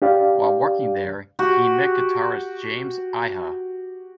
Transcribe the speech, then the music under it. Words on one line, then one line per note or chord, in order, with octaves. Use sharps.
While working there, he met guitarist James Iha.
D4 G4 D5 F5
F#4 G4